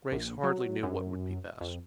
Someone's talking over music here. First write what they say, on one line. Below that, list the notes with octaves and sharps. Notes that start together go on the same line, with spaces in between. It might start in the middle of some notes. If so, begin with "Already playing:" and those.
Grace hardly knew what would be best.
A#1
F#3
F#2
F2